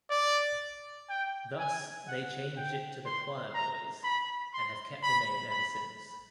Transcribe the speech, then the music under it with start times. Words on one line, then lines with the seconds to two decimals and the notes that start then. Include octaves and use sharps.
Thus they changed it to the Quireboys and have kept the name ever since.
0.10 D5
1.10 G5
1.59 G#5
2.08 F#5
2.57 G5
3.06 C6
3.55 A#5
4.04 B5
4.54 C6
5.03 B5
5.51 B5